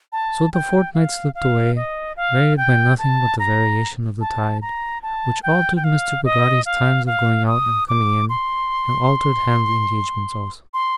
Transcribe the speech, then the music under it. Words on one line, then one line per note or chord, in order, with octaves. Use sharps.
So the fortnight slipped away, varied by nothing but the variation of the tide, which altered Mr. Peggotty's times of going out and coming in, and altered Ham's engagements also.
A5
G5
F5
F5
D#5
F5
G5
A5
A#5
A5
A#5
A5
G5
G5
F5
D#5
F5
F5
D#6
D6
C6
C6